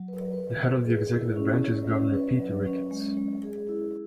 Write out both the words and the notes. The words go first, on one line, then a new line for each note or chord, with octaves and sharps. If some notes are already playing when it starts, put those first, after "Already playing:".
The head of the executive branch is Governor Pete Ricketts.
Already playing: F#3
B4
B4
B4
G#4
E4
C#4
C#5
C#4
B4
F#3
C#4
G#3
G#3
G#4
E4